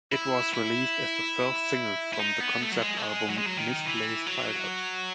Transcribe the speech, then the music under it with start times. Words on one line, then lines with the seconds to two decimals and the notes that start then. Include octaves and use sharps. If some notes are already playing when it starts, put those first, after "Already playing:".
It was released as the first single from the concept album "Misplaced Childhood".
0.12 E4
0.53 E4
2.13 E4
2.19 D#4
2.40 B3
2.61 A3
2.72 F#3
2.82 G#3
2.97 A3
3.02 G#3
3.30 F#3
3.38 G#3
3.46 F#3
3.57 D#3
3.85 E3
4.26 F#3